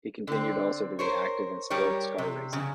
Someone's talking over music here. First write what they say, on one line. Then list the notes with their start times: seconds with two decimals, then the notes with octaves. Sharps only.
He continued also to be active in sports car racing.
0.28 D3 C4
0.99 A#4 C5 C#5
1.70 G3 G4 A#4 C#5
2.18 C3
2.53 C#3 F#3